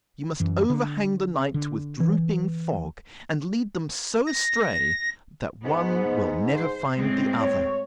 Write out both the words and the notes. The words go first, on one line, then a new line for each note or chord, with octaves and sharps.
You must overhang the night with drooping fog, and lead them so astray, that one will never find the other.
F#2 E3
D3
D3
E3
A#6
G#2 B3
C5
A2 G#3 C4
C#5